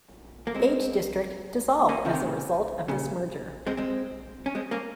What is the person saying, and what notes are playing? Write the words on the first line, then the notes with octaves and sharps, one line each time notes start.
Age District dissolved as a result of this merger.
A#3
G#3 C4
A#3 C#4
C#3 F3
C3 D#3
A#2 C#3
A#2 C#3
G#3 C4
G#3 C4
C#4
G#3 C4
A#3 C#4